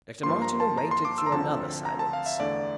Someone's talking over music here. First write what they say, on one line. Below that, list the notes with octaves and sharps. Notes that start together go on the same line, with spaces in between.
Dr. Martineau waited through another silence.
G2 F3 A#3 C6
A#5
A5
A#5
C6
D6
E6
A#5
D2 D3 F3 C4 A5
A#5
A5
F5
E5
E2 D3 A3 D5